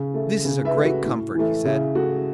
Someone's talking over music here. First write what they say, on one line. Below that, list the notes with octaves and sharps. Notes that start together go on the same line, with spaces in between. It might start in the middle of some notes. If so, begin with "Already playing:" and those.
"This is a great comfort," he said.
Already playing: C#3
A3
C#3
B4 E5
A3
F#4
A2
E3 A3
C#3 E4
A3 F#4